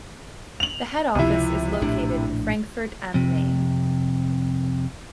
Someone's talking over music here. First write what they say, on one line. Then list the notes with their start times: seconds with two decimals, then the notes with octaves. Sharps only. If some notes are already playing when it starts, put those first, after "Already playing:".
The head office is located in Frankfurt am Main.
0.60 F7 F#7
1.15 C#2 C3 F3 E4
1.82 A#1 A2 D4
3.14 F2 C3